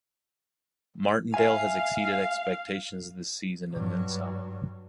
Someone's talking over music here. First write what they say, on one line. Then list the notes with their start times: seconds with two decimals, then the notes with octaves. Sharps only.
Martindale has exceeded expectations this season and then some.
1.34 E5 F5 G#5
3.72 G2 F#3